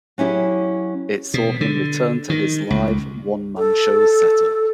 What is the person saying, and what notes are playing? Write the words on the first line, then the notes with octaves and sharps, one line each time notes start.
It saw him return to his live one-man show set up.
F#3 C#4 E4 G4 G#4
B2
D3
D#3
C#2
A4